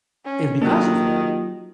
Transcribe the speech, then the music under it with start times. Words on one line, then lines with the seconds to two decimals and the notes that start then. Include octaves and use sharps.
and, because of that,
0.25 C#4
0.62 D#3 F#3 A#3 F4 G4 A4